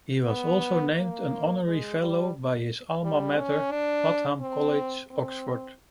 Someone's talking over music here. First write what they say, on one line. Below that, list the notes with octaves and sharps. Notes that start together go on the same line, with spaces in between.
He was also named an honorary fellow by his alma mater, Wadham College, Oxford.
B3
A#3
G#3
G3
G3
C#4
D4
C4
C4